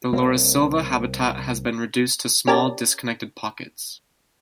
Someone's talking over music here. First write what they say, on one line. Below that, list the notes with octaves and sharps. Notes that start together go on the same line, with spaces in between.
The laurisilva habitat has been reduced to small disconnected pockets.
C2 A3 A#3 C4 C#5 E5
C#4 G4 A#4 D5 A5